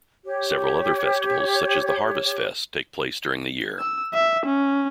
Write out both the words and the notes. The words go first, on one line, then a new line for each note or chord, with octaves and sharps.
Several other festivals, such as the Harvest Fest, take place during the year.
G4 C#5
E6
E5
C#4